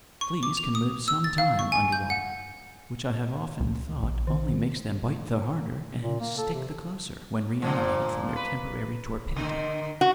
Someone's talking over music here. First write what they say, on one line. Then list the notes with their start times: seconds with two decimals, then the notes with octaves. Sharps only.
Fleas can live some time under water; which I have often thought only makes them bite the harder and stick the closer, when reanimated from their temporary torpidity.
0.21 C#6
0.43 D6
0.57 F7
0.75 D#6
1.08 E6
1.24 A6
1.38 F5
1.59 C#6
1.72 G#5
1.92 G6
2.10 F#5
3.60 C#2
4.03 A#1
4.27 D#3
6.03 A#2
6.20 A#3
6.38 A4
6.54 C3
7.62 G2 A#2 F3
8.36 B4
9.36 D3 D#3
10.01 F#4